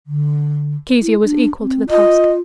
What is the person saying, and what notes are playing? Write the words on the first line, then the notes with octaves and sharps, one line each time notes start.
Kezia was equal to the task.
D3
E4
D4
C4
F4 D#5